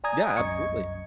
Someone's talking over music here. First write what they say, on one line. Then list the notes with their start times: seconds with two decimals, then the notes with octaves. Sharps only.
Yeah, absolutely.
0.04 D5 G#5 A#5 D#6 G#6
0.37 C2 F#2 D#5 C#6 G#6 C#7